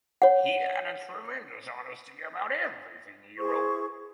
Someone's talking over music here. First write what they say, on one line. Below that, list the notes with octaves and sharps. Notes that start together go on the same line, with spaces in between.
He had a tremendous honesty about everything he wrote.
C#5 F#5
E4 G#4 C5 C#6